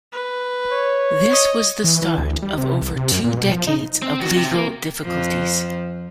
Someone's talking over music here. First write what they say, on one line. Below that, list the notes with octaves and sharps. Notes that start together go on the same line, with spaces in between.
This was the start of over two decades of legal difficulties.
B4
C#5
D#5
E3
E3
D2
G3
C3
C2
C3
F#2
A#2
B2
F3
D#4
C4
D#3 F#4
C3
A#3 A#4
F2 F3